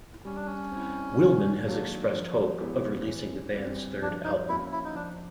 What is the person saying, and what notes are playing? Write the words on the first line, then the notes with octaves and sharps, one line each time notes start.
Willman has expressed hope of releasing the band's third album.
G3 C#4
D4
C#4
C4 E4
D#3
F#3 A#3 D4 F#4
F3
G#3 B3 E4 G4
E3
G3 C4
F3 D4
D#4
A#3 C#4 E4 F#4
E4
D#4
F3 D4